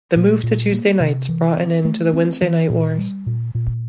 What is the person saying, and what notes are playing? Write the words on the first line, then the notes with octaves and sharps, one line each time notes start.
The move to Tuesday nights brought an end to the Wednesday Night Wars.
A#2
A#2
A#3
C3
E3
C4
A3
C4
E3
A#2
G3
A#2
A#2